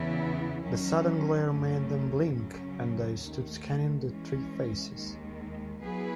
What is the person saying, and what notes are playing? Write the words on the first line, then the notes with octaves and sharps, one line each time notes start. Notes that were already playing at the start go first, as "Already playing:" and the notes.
The sudden glare made them blink, and I stood scanning the three faces.
Already playing: E2 C#3 E3 B3 E4
D#3 F#3 C#4
F#2 C#3 F#3 A3 C#4
F#2 C#3 F#3 C#4
D#2 D#3 A3
E3 G#3 C#4
D#2 D#3 G#3
F#3 B3 E4 G#4 B4